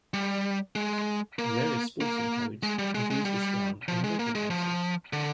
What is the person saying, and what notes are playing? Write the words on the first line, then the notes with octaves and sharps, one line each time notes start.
Various sporting codes have used this ground on a regular basis.
G3
G#3
A#3
A#3
G#3
G3
G#3
G#3
G3
F3
G#3
A#3
G#3
F3
D3